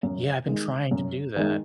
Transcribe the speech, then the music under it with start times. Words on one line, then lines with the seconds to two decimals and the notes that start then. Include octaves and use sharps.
Yeah, I've been trying to do that.
0.03 F#2
0.47 D#3 G#3
0.91 F#2
1.36 D#3 G#3